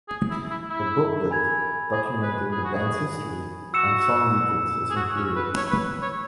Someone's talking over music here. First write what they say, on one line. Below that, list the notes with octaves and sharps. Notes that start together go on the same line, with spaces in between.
A booklet documenting the band's history and song details is included.
G#4
E4
E4
E4
G#5 B5 G#6
G#4
B4
G#4
F#4
G#4
F#4 E6 C#7 E7
G#4
F#4
C#4
B4
C#5
B4
C#5